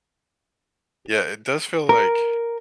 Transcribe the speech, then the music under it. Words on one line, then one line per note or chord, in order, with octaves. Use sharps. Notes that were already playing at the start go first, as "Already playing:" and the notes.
Yeah. It does feel like
A#4